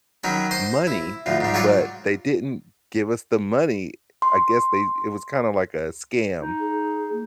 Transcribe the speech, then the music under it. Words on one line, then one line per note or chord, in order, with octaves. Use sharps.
money, but they didn't give us the money. I guess they it was kinda like a scam,
D#3 F#3 C#4 B5
C5 D#5 C6
E4
D2 A2 F3
G#2 G3
F#3 F4 C#5 D5
C6
D#4
G#4
A#3